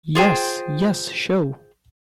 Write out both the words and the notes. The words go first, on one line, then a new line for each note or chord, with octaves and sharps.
Yes, Yes Show!
F4 G#4 C5 G5